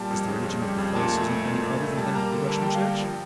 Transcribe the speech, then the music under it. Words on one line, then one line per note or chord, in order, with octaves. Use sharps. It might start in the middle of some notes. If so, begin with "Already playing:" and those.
Is the religion of Catholicism any other than that of the Russian Church?
Already playing: A#2 G3 A5
F2
C#3
F2
G3
F2
A#2 A5
A3
A3
A#2
A#2
A3
G3 A5
A#3 A#5
D3
G2 A5
G3 G5
F5
A#3 G5
F3